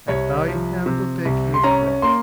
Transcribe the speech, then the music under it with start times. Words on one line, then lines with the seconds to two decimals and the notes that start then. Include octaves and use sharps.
"And I am to take his place."
0.08 C2 C#5
0.48 F3
0.86 C3
1.25 C2
1.54 C6
1.63 C#4 A#5
2.02 A#3 C6